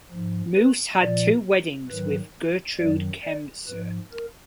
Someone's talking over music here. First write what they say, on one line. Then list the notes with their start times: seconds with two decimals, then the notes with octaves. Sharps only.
Muuss had two weddings with Gertrude Kremser.
0.11 G#2 F3
0.55 B4
1.00 A#2 F3 D5
1.89 G#2 D#3 F#3 B4
2.78 F#2 D#3 F#3 D5
3.23 D5
3.67 G#2 F3 B4
4.12 A#4